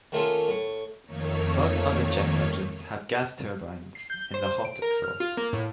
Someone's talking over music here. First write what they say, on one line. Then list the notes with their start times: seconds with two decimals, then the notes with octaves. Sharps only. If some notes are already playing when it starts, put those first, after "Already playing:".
Most other jet engines have gas turbines in the hot exhaust.
0.12 D#3 A3 A#3 C#4 F4 A4
0.48 A2 C#6
1.05 F2 D#3 A3 A#3 C#5
3.95 C7
4.10 G6
4.34 C5
4.65 D7
4.82 A#4
5.04 F6
5.20 F4
5.37 A#3
5.53 A2